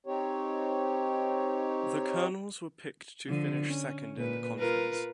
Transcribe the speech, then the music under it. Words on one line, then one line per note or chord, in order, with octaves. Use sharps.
The Colonels were picked to finish second in the conference.
C4 D#4 G4 C#5
D3 F3
C#4
A#2 B4
F4 A#4 B4